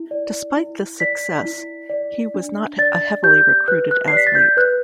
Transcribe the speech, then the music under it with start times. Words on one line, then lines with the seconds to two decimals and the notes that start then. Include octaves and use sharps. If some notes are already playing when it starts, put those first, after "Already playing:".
Despite this success, he was not a heavily recruited athlete.
Already playing: E4
0.11 D5
0.57 E4
1.00 D5 B6
1.45 E4
1.90 D5
2.34 D4
2.79 D5 A6
3.23 G4 G6
3.68 B4 F#6
3.91 F#6
4.08 C7
4.12 D5 B6
4.27 A6
4.35 G6
4.57 B4 F#6